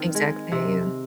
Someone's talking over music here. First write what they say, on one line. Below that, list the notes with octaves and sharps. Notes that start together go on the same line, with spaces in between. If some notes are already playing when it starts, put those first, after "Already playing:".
Exactly, yeah,
Already playing: D#3 C4
G#3
C3